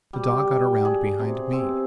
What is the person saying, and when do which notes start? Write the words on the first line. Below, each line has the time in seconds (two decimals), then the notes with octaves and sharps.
The dog got around behind me.
0.13 G3
0.43 G5
0.85 G#4
1.19 C3
1.53 C4